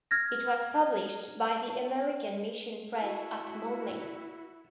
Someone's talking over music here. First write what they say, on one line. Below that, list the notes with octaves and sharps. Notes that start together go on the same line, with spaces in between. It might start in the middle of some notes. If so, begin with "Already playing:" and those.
It was published by the American Mission Press at Moulmein.
F6 G#6 A#6
E4 F#4